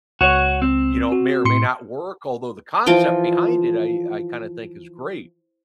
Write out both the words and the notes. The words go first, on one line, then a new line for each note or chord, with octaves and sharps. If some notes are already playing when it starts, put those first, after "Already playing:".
you know, may or may not work, although the concept behind it, I I kinda think is great.
C#2 F#4 C#5
C4
F#4
A2 C6 C#7
E3 F3 F4 G5